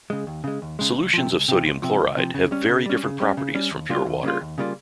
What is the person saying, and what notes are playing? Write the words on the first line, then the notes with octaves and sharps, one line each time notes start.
Solutions of sodium chloride have very different properties from pure water.
C#3 G#3
D#2
C#3 G#3
D#2
C#3 G#3
C#2
C3 F3
C#2
C3 F3
C#2
C3 F3
C#2
C3 F3
C#3
G3 C#4
C#3
G3 C#4
C#3
G3 C#4
C#3
G3 C#4
D#2
C#3 G3 A#3 F4
D#2
C#3 G3 A#3 F4
D#2
C#3 G3 A#3 F4